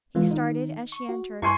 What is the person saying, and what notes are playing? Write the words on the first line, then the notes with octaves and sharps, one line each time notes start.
He started as she entered.
E3 G#3 F4
D#3 D#4
C#6
F#4
G2 E4 G#5 C6 C#6